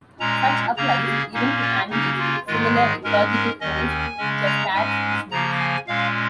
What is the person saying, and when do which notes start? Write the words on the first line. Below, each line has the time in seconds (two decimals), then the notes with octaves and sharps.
Such applies even to animals with similar ecological roles such as cats and snakes.
0.20 A#2 G#3 C#4 A#5
0.77 C#3 A#3 C#4 A#5
1.05 G#4
1.34 A#2 A#3 C#4 D#4
1.62 F4
1.90 C#3 A#3 C#4 D#4
2.19 F4
2.47 G#2 D#3 G#3 F4
2.75 G#4
3.04 G#2 G#3 C#4 A#4
3.32 A#4
3.60 D#2 D#3 C#4 D#5
3.89 G#5
4.18 C#3 G#3 C#4
4.46 A#5
4.74 G#2 G#3 C#4 G#5
5.31 C#3 F3 A#3 A#5
5.60 G#5
5.88 A#2 G#3 C#4 F5